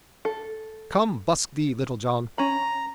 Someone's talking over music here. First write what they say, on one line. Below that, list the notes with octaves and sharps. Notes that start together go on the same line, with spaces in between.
Come, busk thee, Little John!
A4
C#4 A#5 B5